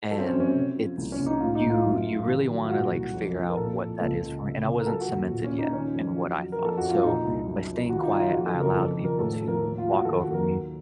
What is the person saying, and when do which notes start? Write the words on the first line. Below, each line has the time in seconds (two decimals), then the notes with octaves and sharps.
and it's, you, you really want to like figure out what that is for me and I wasn't cemented yet in what I thought. So, by staying quiet, I allowed people to walk over me,
0.11 F#3 A4
0.19 C4
0.26 C#4
0.33 F#2
0.40 C#4
0.55 C3
0.76 F3
0.98 C2
1.12 C#4
1.19 C2
1.26 D#4
1.40 A2 F4
1.55 D#4
1.63 A2
1.70 F4
1.84 F#2
2.06 F#3
2.27 D#3
2.49 F#3
2.65 F4
2.71 A#2 F#4
2.92 C2
3.14 F2
3.35 F2
3.49 A#4
3.57 A#2 A4
3.79 A#2
4.00 C#2 A4
4.22 C#3
4.43 C3
4.65 C3
4.79 A#4
4.87 F#3 A4
5.01 F#4
5.08 D#2
5.30 A#2
5.44 C#4
5.52 A#2
5.58 D#4
5.73 D#3 C#4
5.95 F2
6.16 F#3
6.38 F#3
6.52 A#4
6.59 F2
6.65 A4
6.77 F2 F#4
6.90 F4
7.03 A#2 D#4
7.24 C2
7.46 F#2
7.68 F3
7.89 D#3 F#4
7.97 F4
8.03 D#4
8.11 F#3 F4
8.32 F2 F#4
8.46 A4
8.54 C#3
8.61 A#4
8.76 F2 A4
8.97 D#3
9.04 A#4
9.19 A2 A4
9.33 A4
9.40 F3
9.48 A#4
9.62 D#2
9.78 F4
9.83 F#3
9.91 F#4
10.05 D#3 A4
10.19 F#4
10.26 D#2
10.34 A#4
10.49 F#3